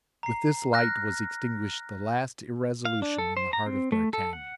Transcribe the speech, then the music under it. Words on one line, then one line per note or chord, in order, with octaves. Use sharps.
With this light was extinguished the last irresolution in the heart of d'Artagnan.
A#5 C7
F6 F#6 A#6
F5
D4
A4
C5
A#5
C4
A3
A4
F#5